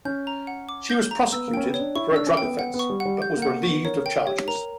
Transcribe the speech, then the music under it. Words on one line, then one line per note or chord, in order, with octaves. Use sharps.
She was prosecuted for a drug offense, but was relieved of charges.
C#4 G6
A#5
F#5
D6
G6
A#5
B3 E6
A#3
C#4 G5
B3
C#5
D4
E4 C#6
D4 E6
C#4
B3 G5
B3 F#5
B3
C#6
G3
F#5
G3
G3 G6
A#3
F#5
A#3
C#6
B3
A#4 C#5
A#4 G5
G4 C#5
A#4 A#5